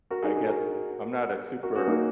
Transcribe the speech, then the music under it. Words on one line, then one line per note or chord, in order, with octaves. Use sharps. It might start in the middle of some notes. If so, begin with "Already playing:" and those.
I guess, I'm not a super,
F#4 A#4
D#4 G#4
D#4 G#4
F#4 A#4
F#4 A#4
C#4 F#4
A#3 D#4